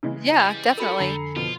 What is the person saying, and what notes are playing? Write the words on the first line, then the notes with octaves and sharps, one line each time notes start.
Yeah, definitely.
C#3 E3 G#3
G3
F#4 A4 A#4 B5 C#7
F2 D3 G#5 A#5 C7 F7
B2 F3 F4